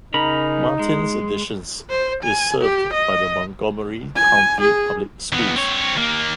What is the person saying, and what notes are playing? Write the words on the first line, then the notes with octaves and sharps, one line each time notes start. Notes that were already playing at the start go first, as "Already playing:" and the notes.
Martin's Additions is served by the Montgomery County Public Schools.
C#3 D#4 A#4 B5
G#3
C5
G#5
G4
D#5
G#5
G#4
D#2 B3
C4 C#5
D#2 A#3